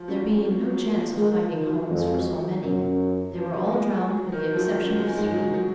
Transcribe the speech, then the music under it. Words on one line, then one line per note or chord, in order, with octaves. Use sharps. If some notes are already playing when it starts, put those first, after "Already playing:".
There being no chance of finding homes for so many, they were all drowned with the exception of three.
Already playing: F3
F#3 C#4
F#3 C4
F#3
A#3
F3
D#3 G#3
F3
D#3
F#3
F2 G#3
F#3
F#3
F#2 F#3
F3
F#3
G#3
G#3
F#3
D#3
F3
F#3
F#2 F#3
G#3
G#2 G#3
F#3
F#3